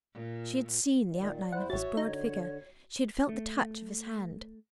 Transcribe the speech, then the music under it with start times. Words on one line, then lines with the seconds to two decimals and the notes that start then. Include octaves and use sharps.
She had seen the outline of his broad figure, she had felt the touch of his hand.
0.13 A#2
1.13 A#2 D#3 D5
1.52 E2 E4 C5 F#5
1.70 A1 F#4 C#5 E5 A6
1.97 D3 D#4 C#5
3.29 A3